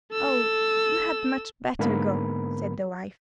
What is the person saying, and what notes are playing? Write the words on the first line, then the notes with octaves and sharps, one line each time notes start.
'Oh, you had much better go,' said the wife.
A4 E6
G#2 D3 A#3 B3 A#4 B5